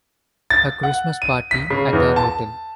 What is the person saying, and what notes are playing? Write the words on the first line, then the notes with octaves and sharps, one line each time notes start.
A Christmas party at our hotel?
A6
F#5
D#7
B6
C#3
E2
A5